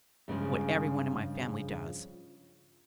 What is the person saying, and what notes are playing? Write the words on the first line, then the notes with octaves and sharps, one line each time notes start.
What every one in my family does.
G2 C#3 F3 G#3